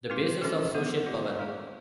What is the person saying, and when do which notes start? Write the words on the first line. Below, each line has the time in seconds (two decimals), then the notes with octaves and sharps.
The bases of social power.
0.10 A3 C4 D#4 F#4 B4
0.42 E3 G#3 C#4 F#4 A4
0.74 F#3 B3 D#4 G#4
1.06 B3 D#4 F#4 B4 D5
1.39 A3 D4 F4 G#4